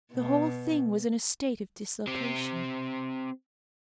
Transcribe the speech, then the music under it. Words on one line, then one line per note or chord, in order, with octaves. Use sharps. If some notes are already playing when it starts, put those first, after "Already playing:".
The whole thing was in a state of dislocation.
B2
C4 G4